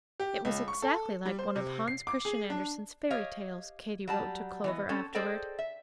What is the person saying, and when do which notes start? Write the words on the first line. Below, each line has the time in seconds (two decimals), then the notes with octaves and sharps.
It was exactly like one of Hans Christian Andersen's fairy-tales, Katy wrote to Clover afterward.
0.20 G4
0.45 C#2
0.68 C#6
0.82 A4
1.26 G3
1.39 C5
1.56 C3
1.88 C7
2.07 D6
2.25 G#4
2.50 D4
3.11 G4 C#5 D#5 F5
4.08 F#3 G3 A5
4.64 E3 B3 D#5
4.89 C4 C#4 A4
5.15 G#4 A4 C5 D5 D#5 G5
5.59 E5